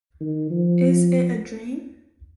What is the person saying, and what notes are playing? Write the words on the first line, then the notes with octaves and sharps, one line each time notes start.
Is It a Dream?
D#3
F3